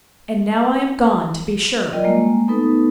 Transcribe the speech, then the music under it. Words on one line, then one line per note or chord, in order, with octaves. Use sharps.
And now I am gone, to be sure!
F#3 F4 A#4 D5 D#5 G5
G3 G#3 A#3
A3 B3 D#4 A4 B4